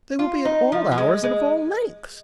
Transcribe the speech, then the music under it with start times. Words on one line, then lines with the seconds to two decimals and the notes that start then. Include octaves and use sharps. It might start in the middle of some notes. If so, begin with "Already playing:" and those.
They will be at all hours, and of all lengths.
0.19 F4
0.45 D#4
0.72 F3
0.91 F3
0.98 G#3
1.23 G#3